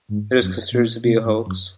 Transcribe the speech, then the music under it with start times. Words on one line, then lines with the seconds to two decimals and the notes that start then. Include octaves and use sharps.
It is considered to be a hoax.
0.09 G#2
0.41 F#2
0.72 A#2
1.04 B2
1.24 G#2
1.46 F#2